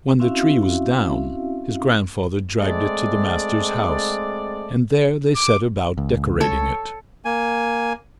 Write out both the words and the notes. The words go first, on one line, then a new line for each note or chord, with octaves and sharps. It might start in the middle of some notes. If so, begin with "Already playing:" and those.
When the tree was down, his grandfather dragged it to the master's house, and there they set about decorating it.
C4 C#4 E4 F#4 E5 F5
G#3 A3 C4 D5
D6
C#2
A4 C#5
A#3 G#5